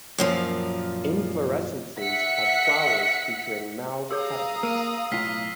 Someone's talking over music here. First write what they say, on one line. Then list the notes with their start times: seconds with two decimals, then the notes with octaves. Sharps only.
Inflorescences have flowers featuring mauve petals.
0.18 F#2 A#2 F3
2.00 E5 F#5 B6 C#7
4.11 G4 G#4 C#5 F5 A#5 D#6 E6
4.63 A#3 E6 D#7
5.12 B1 A2 F4 F6 B6 C7